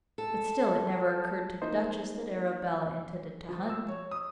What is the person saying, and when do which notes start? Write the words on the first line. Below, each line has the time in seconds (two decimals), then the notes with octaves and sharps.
But still it never occurred to the Duchess that Arabella intended to hunt.
0.18 A4
1.62 A#3 D#4 C5
3.49 F3
3.69 E6
3.88 C#5
4.11 D#6